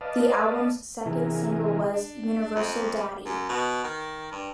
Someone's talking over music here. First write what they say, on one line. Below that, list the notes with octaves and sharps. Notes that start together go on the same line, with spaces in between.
The album's second single was "Universal Daddy".
B4 D5 D#5 F5 A5
C3 E3 E4 G#4 A#4
D4
F2
F#2
B2
D#3
G2